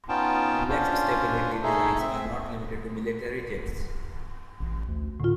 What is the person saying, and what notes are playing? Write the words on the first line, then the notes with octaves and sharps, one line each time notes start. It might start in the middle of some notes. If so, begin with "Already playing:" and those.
Relaxed stability designs are not limited to military jets.
B3 C#4 D#4 F4 G5 A5
C#4 D4 F4 C5
A3 D#4 G#4 A4
C4 E5
A1
D2
A2 D3 F4